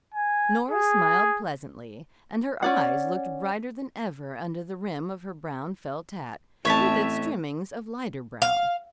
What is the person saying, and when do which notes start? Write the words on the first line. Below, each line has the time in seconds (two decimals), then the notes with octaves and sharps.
Nora smiled pleasantly, and her eyes looked brighter than ever under the rim of her brown felt hat, with its trimmings of lighter brown.
0.14 G#5
0.71 G#4
2.62 C#4 D5 F#5
6.65 A1 C4 C#5 E5 A5 B5
8.42 F5